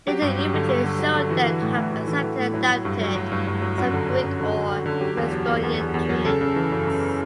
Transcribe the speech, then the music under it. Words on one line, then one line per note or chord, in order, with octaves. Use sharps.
Later images showed them to have accepted and adapted some Greek or Macedonian tunics.
F#3 G4
G2
F#3
D3
G2
D3
F#3
D3
E3 F#4
E3
A2
A2
A2
E3
E3
A2
F#3 E4
F#3
G2
F#3
F#3
G2
G2
F#3
F#2 F#4
D3
D3
F#2
D3
D3
D3
D3
F#3 G4
E2
F#3
E2
E2
E2
E2
F#3
C#3 A4
C#3
E3
F#2
F#2